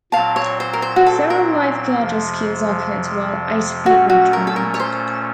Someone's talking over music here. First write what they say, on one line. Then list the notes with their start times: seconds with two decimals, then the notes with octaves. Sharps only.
Several life guard rescues occurred, while eight people drowned.
0.12 A#2 F#3 C4 F5 A5
0.36 C#5
0.60 C5
0.73 A#4
0.82 C5
0.96 F#4
1.06 A4
1.30 A#4
1.99 F2 C3 F3
3.86 A#2 A3 C#4 F#4
4.10 F#4
4.33 A#4
4.47 A4
4.56 A#4
4.74 C#5
4.80 C5